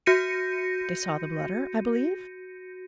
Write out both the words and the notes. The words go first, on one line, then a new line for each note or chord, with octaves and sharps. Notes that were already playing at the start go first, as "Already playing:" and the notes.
"They saw the letter, I believe?"
F#4 G6 A#6 C#7 D#7